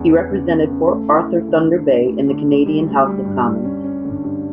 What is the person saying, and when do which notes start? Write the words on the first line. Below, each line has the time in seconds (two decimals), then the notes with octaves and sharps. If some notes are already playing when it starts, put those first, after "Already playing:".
He represented Port Arthur-Thunder Bay in the Canadian House of Commons.
Already playing: E2 C#3
0.10 B3
0.30 C#3
0.50 B3
0.69 C#3
0.89 A3
1.08 E4
1.28 A3
1.48 D3
1.68 D3
1.88 E4
2.07 D2
2.27 D3
2.46 D2
2.66 G3
2.87 D2
3.06 G3
3.25 G2
3.45 G2
3.64 C#4
3.84 C#4
4.05 D3
4.24 G2